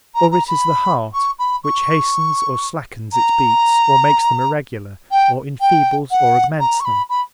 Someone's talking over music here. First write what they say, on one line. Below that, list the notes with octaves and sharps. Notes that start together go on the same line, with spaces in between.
Or it is the heart, which hastens or slackens its beats, or makes them irregular, or enfeebles, or augments them.
A#5
A#5
B5
C#6
B5
C#6
A#5
G5
G5
F#5
A#5
C#6
B5
B5